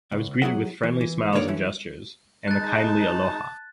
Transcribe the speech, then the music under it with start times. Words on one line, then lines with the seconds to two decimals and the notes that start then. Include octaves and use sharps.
I was greeted with friendly smiles and gestures and the kindly aloha.
0.12 C#2
0.42 F#2 F#3 E4 G#4 F#5
0.83 E3
1.01 E3
1.33 D3 D#3 A#3 D4 C#5 D5
1.48 F#2 D3 E3 C#4 E4
2.48 G#3 D#4 A5 F#6 A6